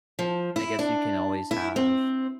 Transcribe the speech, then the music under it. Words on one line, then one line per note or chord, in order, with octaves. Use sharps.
I guess you can always have,
F3
E4
D4
E4
C4